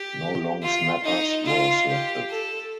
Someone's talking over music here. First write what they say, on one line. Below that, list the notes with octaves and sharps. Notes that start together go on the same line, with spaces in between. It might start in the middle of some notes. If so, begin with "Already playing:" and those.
No long snappers were selected.
Already playing: G4
F4
D#4
F4
G4
A4